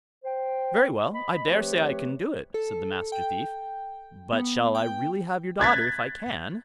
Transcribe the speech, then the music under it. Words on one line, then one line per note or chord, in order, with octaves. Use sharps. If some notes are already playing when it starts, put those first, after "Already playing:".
'Very well, I daresay I can do it', said the Master Thief; 'but shall I really have your daughter if I can?'
C5 G5
D#5 B5
F3 A3 C4 G4 B4 C#5
A4
G5
B3
G5
F#6 G#6 A6 B6